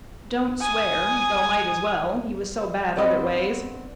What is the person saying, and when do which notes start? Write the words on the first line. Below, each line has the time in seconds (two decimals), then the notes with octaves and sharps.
"Don't swear, though might as well; he was so bad other ways."
0.61 G#5 D#6
2.96 G2 B3 C4 D5 D#5